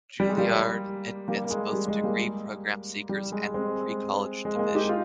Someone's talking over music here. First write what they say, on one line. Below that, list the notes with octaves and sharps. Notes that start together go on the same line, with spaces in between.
Juilliard admits both degree program seekers and pre-college division.
G3
G#3
G3 A#3
G3 A#3
A#3
G#3
G3
G#3
G3 A#3
G3
G#3
G#3 C4
G#3
A#3
G#3
D#4 G4
F4